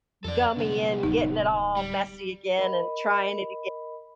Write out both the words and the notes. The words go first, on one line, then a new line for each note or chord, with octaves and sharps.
gummy and getting it all messy again and trying it again
F2 A4 D5
C2 D3 B3
D1 D#4
G3
A#4 D#5 B5